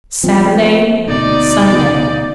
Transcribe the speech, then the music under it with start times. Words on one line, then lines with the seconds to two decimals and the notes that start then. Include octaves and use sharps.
Saturday, Sunday.
0.24 F3 C4
1.07 D2 B2 D#4 D5